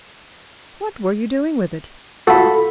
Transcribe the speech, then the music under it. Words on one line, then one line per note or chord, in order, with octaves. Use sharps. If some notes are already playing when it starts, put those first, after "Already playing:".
"What were you doing with it?"
F4 F#4 A4 B5